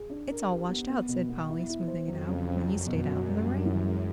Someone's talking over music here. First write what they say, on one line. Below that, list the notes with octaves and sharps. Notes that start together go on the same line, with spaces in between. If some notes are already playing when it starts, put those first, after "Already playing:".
"It's all washed out," said Polly, smoothing it out, "when you staid out in the rain."
Already playing: G#4
D4
A#4
G4
B3
B3
B2
B3
E4
E4
C5
F2 F#3
C#3
C#3
F#2 F#3
B2
F#3
G3
G3
E3
G#3